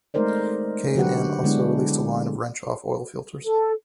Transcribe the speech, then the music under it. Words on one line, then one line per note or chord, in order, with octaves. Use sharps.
K and N also released a line of Wrench-Off oil filters.
G#3 A3 D#4 A#4 C5 D5
D3 F#3 F#4 G4 B4 F#5
D3 G#3 B3 D4 E4
A4